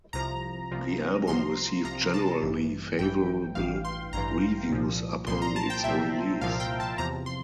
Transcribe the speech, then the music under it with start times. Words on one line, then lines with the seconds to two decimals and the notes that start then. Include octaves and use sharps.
The album received generally favorable reviews upon its release.
0.13 C2 C3 F3 A#5
0.71 C2 C3 F3
1.27 C2 C3 F3 C6
1.84 C2 C3 F3 A#5
2.14 A5
2.42 A1 G2 E3
2.99 A1 G2 E3 G5
3.55 A1 G2 E3 F5
3.85 C6
4.13 A1 G2 E3 A#5
4.70 C2 A#2 F3
5.27 C2 A#2 F3 C6
5.42 A#5
5.56 A5
5.70 G5
5.84 C2 A#2 F3 E5
6.41 C2 A#2 F3 F5
6.60 G5
6.80 A5
6.98 E2 C3 F3 A#5
7.26 C6